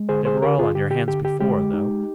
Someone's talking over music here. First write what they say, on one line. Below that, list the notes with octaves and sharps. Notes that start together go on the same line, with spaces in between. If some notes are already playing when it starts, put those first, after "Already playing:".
They were all on your hands before, though....
Already playing: G#3
D3 G#4 C5
G#4 C5
D3 G4 A#4
F4 G#4
D3 G4
G4
D3 G4
G4
G#3 G4
D#4